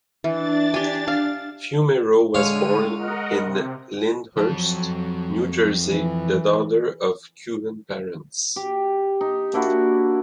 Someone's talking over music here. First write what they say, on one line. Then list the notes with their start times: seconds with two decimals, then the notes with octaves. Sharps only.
Fumero was born in Lyndhurst, New Jersey, the daughter of Cuban parents.
0.24 E3 D4 A6
0.74 G4 G#5
1.08 F5
2.34 D3 G#3 C#5 F5 D#7
2.97 A#4 D#5 F#5
3.42 C3
4.36 F2 F#3 A5
5.85 E3
8.56 G4
9.21 D#4
9.53 A#3 D4 E4 F#4